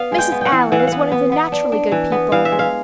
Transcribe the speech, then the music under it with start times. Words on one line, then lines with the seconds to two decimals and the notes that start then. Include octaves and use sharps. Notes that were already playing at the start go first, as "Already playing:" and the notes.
Mrs. Allan is one of the naturally good people.
Already playing: B3 F5
0.12 G#3
0.18 G5
0.32 B3
0.41 F#5 G5
0.52 E3
0.72 E3 F#5
0.79 F5
0.87 B3 F#5
1.12 B3
1.32 B3
1.52 D4
1.72 D4
1.92 E3
2.12 B3
2.32 E3 F5
2.45 E5
2.52 G#3
2.59 F5